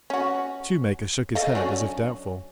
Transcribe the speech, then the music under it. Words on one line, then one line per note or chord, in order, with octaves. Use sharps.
The shoemaker shook his head as if doubtful.
C#4 F#4
A4 D#5 F5
F#3 C#4 D4